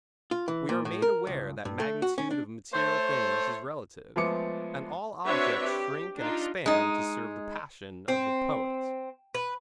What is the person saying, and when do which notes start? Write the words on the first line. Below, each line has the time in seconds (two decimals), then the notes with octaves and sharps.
We are made aware that magnitude of material things is relative, and all objects shrink and expand to serve the passion of the poet.
0.31 F4
0.48 E3
0.69 A#2
0.85 A2
1.02 A#4
1.27 C#2
1.65 G2
1.80 A3
2.02 F#4
2.18 C#4
2.31 D4
2.73 A3 C5 C#5
4.16 F3 G#3 A3 B3 D6 C#7
5.25 C4 D4 F#4 B4 C#5 E5
5.63 G4
6.18 D4 D#4 F4
6.66 G#3 D#4
8.08 C4
9.34 B4